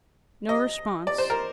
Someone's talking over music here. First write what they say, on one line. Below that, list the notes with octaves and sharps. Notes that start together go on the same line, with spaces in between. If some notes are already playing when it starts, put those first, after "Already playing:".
No response.
D#5
D5
C5
A#4